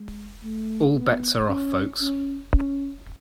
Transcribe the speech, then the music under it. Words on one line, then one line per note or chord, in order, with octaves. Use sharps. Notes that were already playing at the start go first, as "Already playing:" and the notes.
All bets are off folks.
Already playing: G#3
A3
B3
C#4
C#4
C#4